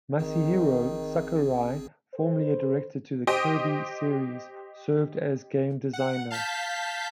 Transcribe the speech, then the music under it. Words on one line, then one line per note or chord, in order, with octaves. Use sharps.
Masahiro Sakurai, formerly a director to the "Kirby" series, served as game designer.
G#1 D#3 C4 G#4
A4 B4 C5
G4 C5 D#5 G5 C6 D#6
F#5
F5 A5 G6 B6